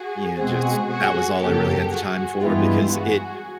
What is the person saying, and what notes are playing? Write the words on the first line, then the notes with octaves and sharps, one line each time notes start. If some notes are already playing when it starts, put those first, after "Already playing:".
Yeah. Just that was all I really had the time for because it
Already playing: F#4 G#4
B2 G#3 C4 F#4 G#4
F#4 G#4
F#2 C#3 F#3 A#3 G4 A4
F#4 G#4
G2 E3 G#3 B3 E4 F4 G4
F#4 G#4